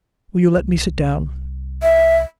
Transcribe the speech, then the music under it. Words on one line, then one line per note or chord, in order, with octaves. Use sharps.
Will you let me sit down?
C2
E5